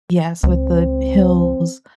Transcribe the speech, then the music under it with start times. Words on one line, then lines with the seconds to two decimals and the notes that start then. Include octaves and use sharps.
Yes, with the hills,
0.43 C#2 C4